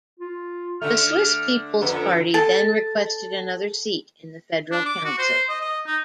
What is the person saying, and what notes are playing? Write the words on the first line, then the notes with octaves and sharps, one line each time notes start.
The Swiss People's party then requested another seat in the Federal Council.
F4
D3 A3 F6
F2 D3 B3
A4 A5
D4
D6
F#4
C5
D#5
D#5
D#4